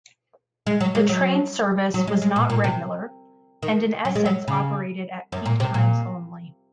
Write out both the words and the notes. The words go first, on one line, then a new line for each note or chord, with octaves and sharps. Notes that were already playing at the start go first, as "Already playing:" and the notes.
The train service was not regular and in essence operated at peak times only.
G#3
F#3
G#3
F#3
F#3
G#3
G#3
A#2
A#2
C3
D#3
F#3
G#3
F#3
C#3
F#2
A#2
C3
A#2